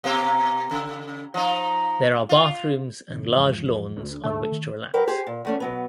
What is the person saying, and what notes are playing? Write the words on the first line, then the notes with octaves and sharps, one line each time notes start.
There are bathrooms and large lawns on which to relax.
B2 A#3 G4
C#3
F3 D#4
F4
F#1 C3 D#3
E2 G#2 F3
D2
D#1 D2 A3 D4
D#3
F#3 A#4 B4 G5
G4 G#4 C5
A#2
E2 A3 C#4
B2 F#3 B3